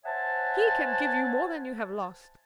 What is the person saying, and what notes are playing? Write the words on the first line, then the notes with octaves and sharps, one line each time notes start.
"He can give you more than you have lost."
C5 C#5 E5 F#5 G#5 A5